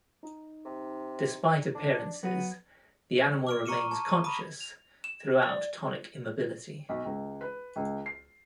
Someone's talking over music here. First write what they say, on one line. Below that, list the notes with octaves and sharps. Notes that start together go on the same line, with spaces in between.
Despite appearances, the animal remains conscious throughout tonic immobility.
D#4
C3
D4
F#3 B3 D#7
D6 F6 D7
A#5 C#6 C#7 D#7 E7
A5
B5 D#6 D#7
F7
E7
D5
B1
C#2
B4
C#2
C7